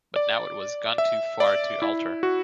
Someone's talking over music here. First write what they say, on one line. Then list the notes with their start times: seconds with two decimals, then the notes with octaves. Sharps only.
But now it was gone too far to alter.
0.16 D5
0.98 E5
1.40 D5
1.82 E4
2.23 F#4